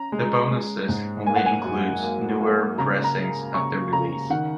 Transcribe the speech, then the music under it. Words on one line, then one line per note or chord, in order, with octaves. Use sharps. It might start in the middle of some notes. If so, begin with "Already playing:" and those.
The bonus disc only includes newer pressings of the release.
Already playing: C#4 A#5
G#3
G#3
G#2
A#3 G#5
F#5
G#5
F#2
A#3
A#3
C#3 A#5
A#5
G#3
C#3 C#6
C#3 A#5
D#3 F#5